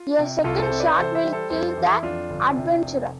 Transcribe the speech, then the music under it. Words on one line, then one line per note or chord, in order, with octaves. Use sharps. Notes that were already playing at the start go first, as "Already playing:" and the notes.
A second shot will kill the adventurer.
Already playing: F4
C3
C2 F4 A4
A4 C5
C3
B4 D5
E3 A4 C5
C5 E5
G3
A4 C5
F2 A4 C5
A4 C5
E3
E4
F2 D4 F4
G1
C3
F1